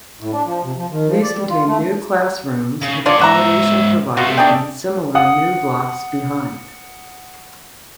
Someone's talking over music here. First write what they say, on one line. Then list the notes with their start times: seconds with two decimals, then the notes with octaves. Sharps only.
These contained new classrooms, with accommodation provided in similar new blocks behind.
0.20 A2
0.33 D4
0.45 F3
0.64 C3
0.77 F3
0.91 D#3
1.08 F3
1.22 D5
1.36 G3
1.50 F4
1.67 A3
2.82 C#3
3.06 D4 F4 G#4 D5 F#5
3.19 G#2 C#5 E5 F#5 A#5
4.17 B2 A3 F4 F#4
4.38 D4 G#4 G5
5.15 F#5 D#6